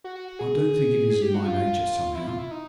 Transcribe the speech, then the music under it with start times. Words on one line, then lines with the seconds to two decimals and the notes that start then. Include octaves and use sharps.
I don't think it is in my nature somehow.'
0.04 F#4
0.15 F#4
0.28 F#4
0.39 G#4
1.09 G#4
1.22 G4
1.34 F#4
1.45 F4
2.15 E4
2.27 F4
2.39 E4
2.51 D#4